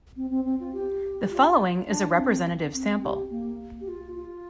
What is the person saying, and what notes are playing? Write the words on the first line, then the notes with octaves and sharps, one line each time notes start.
The following is a representative sample.
C4
C4
C4
F4
G4
F4
D4
C4
C4
G4
A#3
G4
F4
F4